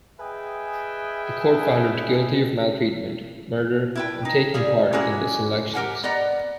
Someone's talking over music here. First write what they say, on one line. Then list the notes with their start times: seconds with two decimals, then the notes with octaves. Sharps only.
The court found her guilty of maltreatment, murder and taking part in the "selections".
0.20 G#4 B4 D#5 E5 G5 G#5
3.95 E4 B4 G5
4.25 D#4
4.54 G3 G#4 F5
4.93 G#3 A#3 C#4 E4 F#4 G#4
5.74 G4 A#4 F#5 G#5
6.03 B3 D5 D#5 F#5 A#5